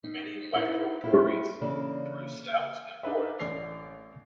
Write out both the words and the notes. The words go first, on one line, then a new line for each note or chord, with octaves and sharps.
Many microbreweries brew stouts and porters.
D#4
D#4 E4 G#4 C5
E4 F4 G4
C#3 E3 A#3 D4 A4 D5
D4 D#4 G#4 B4 E5
A1 A3 D5 C7 F7